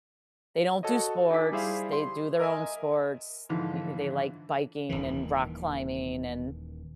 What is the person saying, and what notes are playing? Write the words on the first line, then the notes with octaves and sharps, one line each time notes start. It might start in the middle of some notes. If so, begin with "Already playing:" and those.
they don't do sports. They do their own sports. E eh, they like biking and rock climbing and,
F#4 A4 C#5 D#5
D#4 G#5 D6 B6
G3 E4 G#4 C5 E5 F5
C6
A#4 D#5 E5 G#5
G#2 D3 E3 F3
D#1 A#1 D#3 E3